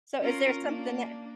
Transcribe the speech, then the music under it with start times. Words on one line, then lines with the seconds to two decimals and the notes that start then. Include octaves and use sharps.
So, is there something that
0.20 C#4 F4 A#4
0.62 A#3 D4